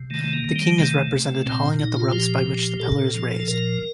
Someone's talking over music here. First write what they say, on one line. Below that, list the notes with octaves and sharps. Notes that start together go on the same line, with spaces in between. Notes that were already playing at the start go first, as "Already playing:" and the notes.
The king is represented hauling at the ropes by which the pillar is raised.
Already playing: C3
D#3 A3
A3
A#3
D#3
G3
C3 A3
C3
A#2 C4
A#2 D#4
F4
F3 G4
A#2
A#2 A4
F3
A#2 A#4